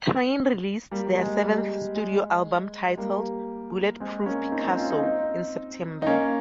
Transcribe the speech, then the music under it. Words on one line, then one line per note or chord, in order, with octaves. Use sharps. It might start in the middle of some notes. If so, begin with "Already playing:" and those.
Train released their seventh studio album titled "Bulletproof Picasso" in September.
G3 A#3
G#3
G3
G#3
G3 A#3
G#3 C4
A#3 C#4
C4 D#4
C4 D#4
C#4 F4
C4 D#4
C4 D#4
D#4
A#3 C#4